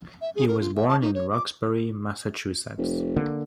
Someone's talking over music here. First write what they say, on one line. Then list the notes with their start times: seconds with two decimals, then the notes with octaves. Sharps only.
He was born in Roxbury, Massachusetts.
0.21 E5
0.35 G#4
0.48 A#4
0.61 F4
0.76 E5
0.88 A5
1.01 D#4
1.15 C#5
1.31 D6
2.78 F1
3.16 D3 A#3